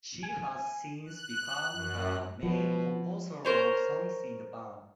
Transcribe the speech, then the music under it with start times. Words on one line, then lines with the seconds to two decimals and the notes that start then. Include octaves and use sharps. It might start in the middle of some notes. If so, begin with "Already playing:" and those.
She has since become the main composer of songs in the band.
0.23 G#5
1.05 F#6
1.73 F#2
2.43 B2 F3
3.45 A#4 C5 C#5